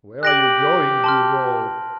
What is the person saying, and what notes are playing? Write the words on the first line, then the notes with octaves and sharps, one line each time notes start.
"Where are you going, you rogue?"
G4 F#6 A#6 D7 F#7
A5 C6 F6